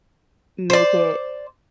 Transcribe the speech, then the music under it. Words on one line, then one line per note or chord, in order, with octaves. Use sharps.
make it
C5 D5